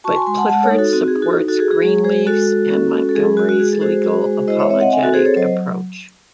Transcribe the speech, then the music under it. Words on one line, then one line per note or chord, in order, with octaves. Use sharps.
But Clifford supports Greenleaf's and Montgomery's legal apologetic approach.
F#4 A5 C#6
G#5 C6
G#3 G#5 C6
F#5 A5
G#3 F#5 A5
A4 C#5
D#4
F#4 A4
C4 F#4
G#4
D#4
F#4 A4
D#4
F#4 A4
F#4 G#4
G#4
G#3 G#4
G#3 G#4 C5
G#3 F#4 A4
G#3
C#4
G#3
A4
G#3 G#4
G#4
G#3 F#4
F#4
G#3 G#4
A4
F#4 G#4 C5
F#4
G#3
E4 C5 D#5
C#5 E5
C4 C#5 E5
D#5 F#5
C4 E5 G#5
F#4 A4
C4 G#4 C5
A4 C#5
F#3 C5 D#5